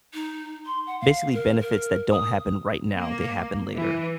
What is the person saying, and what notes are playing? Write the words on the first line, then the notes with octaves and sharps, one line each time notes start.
basically benefits that don't happen right now, they happen later.
D#4
C6
F#5
F5
A#4
A#4
D#6
A#3
E3